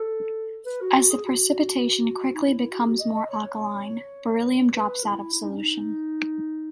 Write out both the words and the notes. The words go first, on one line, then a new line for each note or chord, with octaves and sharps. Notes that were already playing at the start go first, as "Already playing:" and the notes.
As the precipitation quickly becomes more alkaline, beryllium drops out of solution.
Already playing: A4
B4
F#4
F#4
G#4
F#4
D#4
E4
F#4
G#4
F#4
D#5
D#5
C#5
C#5
B4
E4
E4
D#4
C#4
D#4